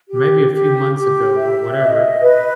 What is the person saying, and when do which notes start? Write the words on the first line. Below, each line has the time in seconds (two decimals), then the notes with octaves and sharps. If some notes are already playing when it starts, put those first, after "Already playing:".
or maybe a few months ago or whatever.
0.10 G4
0.52 G4
0.95 G4
1.37 E5
1.79 D#5
2.22 B4